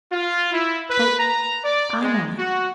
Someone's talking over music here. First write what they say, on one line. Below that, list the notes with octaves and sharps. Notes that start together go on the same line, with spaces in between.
"But, Anna..."
F4
E4
B4
A#5
D5
G#3
F#4